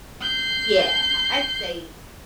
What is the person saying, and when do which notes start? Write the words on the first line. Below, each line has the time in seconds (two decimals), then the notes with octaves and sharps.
yeah, I I'd say
0.22 G6 C7